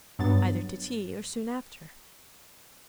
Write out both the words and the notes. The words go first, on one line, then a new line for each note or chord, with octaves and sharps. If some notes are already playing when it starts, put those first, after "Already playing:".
'Either to tea or soon after.
G2 F#3 B3 A6